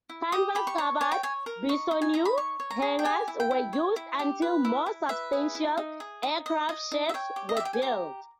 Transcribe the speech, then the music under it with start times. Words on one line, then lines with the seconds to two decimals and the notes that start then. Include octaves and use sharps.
Canvas-covered Bessonneau hangars were used until more substantial aircraft sheds were built.
0.09 E4
0.32 G4 D#6
0.55 G4 B5
0.67 C#6
0.78 C#5
1.01 C#5 G#5
1.12 G5
1.23 C#5 G#5
1.46 A#4
1.69 D#4 C#6
1.91 D#4
2.02 G#5
2.14 D#4 A#5
2.25 B5
2.37 C#5 C#6
2.60 C#5
2.71 A#5
2.82 G#4
2.99 G5
3.05 G4 G#5
3.28 E4
3.40 G5
3.51 E4
3.73 C#5
3.96 E4
4.19 G4
4.42 B4
4.65 E4
4.86 E4
5.09 B4 E5
5.33 G#4
5.55 E4
5.77 D#4
6.00 G#4
6.23 D#4
6.46 D#5
6.69 D#5
6.92 D#4
7.09 E5
7.14 C#5 G5
7.36 G4
7.49 D#5
7.57 E5
7.60 G4
7.65 G5
7.73 G#5
7.82 G4 A#5